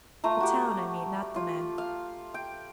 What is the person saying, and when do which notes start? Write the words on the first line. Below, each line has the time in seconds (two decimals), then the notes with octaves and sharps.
The town, I mean; not the men.
0.24 A3 F4 A#5
0.40 F#4 G4
1.36 F4
1.78 F5
2.34 G5